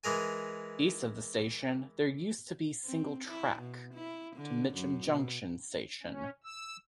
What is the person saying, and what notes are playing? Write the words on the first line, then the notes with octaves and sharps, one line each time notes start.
East of the station there used to be single track to Mitcham Junction Station.
E3 G#3 A#4 G#5
C4
E4
B2
E4
D3
F#2
B2
C#4
E6